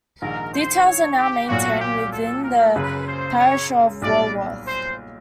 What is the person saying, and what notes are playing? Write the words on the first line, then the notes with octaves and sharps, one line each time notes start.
Details are now maintained within the parish of Walworth.
A#1 G#2 D#3 A#4
C5
C#5
G4
B1 A#2 F#3 A#3 F#4
G4
A4
A#4
F#1 F#2 C#3 B4
C5
C#5
B1 A#2 G3 D5
C5